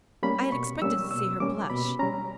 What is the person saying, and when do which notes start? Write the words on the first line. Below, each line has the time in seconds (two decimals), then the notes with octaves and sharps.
I had expected to see her blush.
0.23 G3 A#3 C#4 B5
0.52 B2 C#6
0.82 G3 A#3 C#4 E6
1.11 B2 E6
1.40 G3 A#3 C#4 D6
1.70 B2 B5
1.99 G3 C#4 A#5